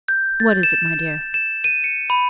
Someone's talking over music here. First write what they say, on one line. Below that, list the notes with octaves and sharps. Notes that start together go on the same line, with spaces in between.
"What is it, my dear?"
G6
A6
E7
E7
D#7
C#7
B5